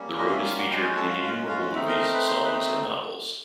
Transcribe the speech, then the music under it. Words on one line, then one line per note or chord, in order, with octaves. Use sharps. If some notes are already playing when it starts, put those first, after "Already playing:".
The road is featured in innumerable movies, songs, and novels.
Already playing: G3 A#3 C#4
D#4 D#5
F5
E4 E5
F4 F5
F#4 F#5
G#3 C#4 F#4 G4 G5
G#4 G#5
A4 A5
F4 F5
F4 F5
F4 F5
A3 C4 D#4 E4 E5
A#4 A#5
A#4 A#5
B4 B5
C5 C6
B4 B5